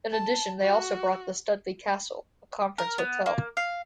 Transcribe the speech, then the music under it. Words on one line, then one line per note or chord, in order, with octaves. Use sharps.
In addition they also bought the Studley Castle, a conference hotel.
A5
F#4
A#4
B3
A#3
F5